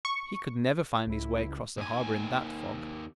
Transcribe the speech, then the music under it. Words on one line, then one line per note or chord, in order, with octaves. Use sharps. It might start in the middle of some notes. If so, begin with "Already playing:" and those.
"He could never find his way cross the harbour in that fog."
C#6
C#2 E4
D#2 G#5